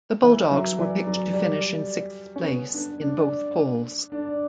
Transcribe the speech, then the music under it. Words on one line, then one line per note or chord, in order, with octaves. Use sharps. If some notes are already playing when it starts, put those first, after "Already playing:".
The Bulldogs were picked to finish in sixth place in both polls.
E3 E5
F#3
E3 D5
F#3
G3 D5
C#4
B3
D4
D4 D5
D4 D5